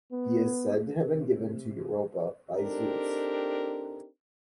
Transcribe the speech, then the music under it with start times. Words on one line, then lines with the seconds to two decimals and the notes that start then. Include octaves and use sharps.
He is said to have been given to Europa by Zeus.
0.12 B3
0.99 C3
2.56 C4 D4 D#4 G4 A4 A#4